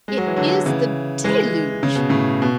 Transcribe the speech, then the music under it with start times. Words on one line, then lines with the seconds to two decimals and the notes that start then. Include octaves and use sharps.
"It is the deluge!"
0.08 G#3
0.18 F#3
0.27 E3
0.36 D3 F#3
0.66 C#3 E3
1.24 E3 G#3
1.83 C#3
1.96 B2
2.09 A2 C#3
2.42 B2